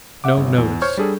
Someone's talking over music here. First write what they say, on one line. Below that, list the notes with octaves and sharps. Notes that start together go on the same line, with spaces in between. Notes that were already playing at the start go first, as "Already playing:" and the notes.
No notice.
E5 F#5 D6
G1
E2
C5 C#5 C#6 F6 G6 G#6
G3 D4 G#4 A4